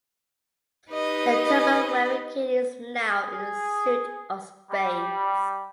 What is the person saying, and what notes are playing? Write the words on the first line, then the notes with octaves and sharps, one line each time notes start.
The turban wearing king is now in the suit of spades.
D#4 G4 B4 D#5
G#4
G3